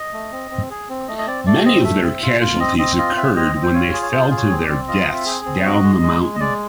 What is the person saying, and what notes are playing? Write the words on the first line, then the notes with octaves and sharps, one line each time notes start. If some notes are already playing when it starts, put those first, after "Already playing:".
Many of their casualties occurred when they fell to their deaths down the mountain.
Already playing: D#5
A3
C4
C4
G#4
C4
A3 D#5
D#5
C4 D5
A3 D5
C4 D#5
A3 E5
C4
F4
F4
C4 D#5
C4 D#5
F4 D#5
C4 E5
C4 D#5
C4
C5
F4 C#5
G#4
C#5
F4 C5
G#4
C#5
C4
D5
C4
F4 D#5
C4 D#5
E5
G#4
C4
F#4 D#5
G#3
G#3
G#3
D#5
G#3 D5